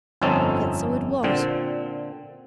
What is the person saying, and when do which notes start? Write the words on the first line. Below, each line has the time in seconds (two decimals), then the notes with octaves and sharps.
Yet so it was.
0.21 G1 F2 C4 C#4 D#4 A4
1.23 A#2 D3 C4